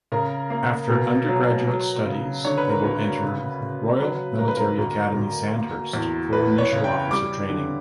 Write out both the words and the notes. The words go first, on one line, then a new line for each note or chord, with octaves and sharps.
After undergraduate studies they will enter Royal Military Academy Sandhurst for initial officer training.
C#3 A#4
A#3
B2
F#3
F#3
C#3
D3 C#5
B4
A#4
D2 B4
C#3
C#3
F#3 B4
G2 A#4
B4
A#4
D2
D2
A#3
E2
E3 B4
C#5
C#3
G5
G3 D6
D3